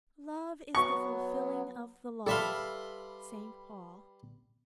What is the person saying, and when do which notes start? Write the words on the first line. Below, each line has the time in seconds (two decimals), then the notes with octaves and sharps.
Love is the fulfilling of the law.--St. Paul.
0.75 F#3 B3 C#6
2.26 G3 A4 B4 E5 F5 C6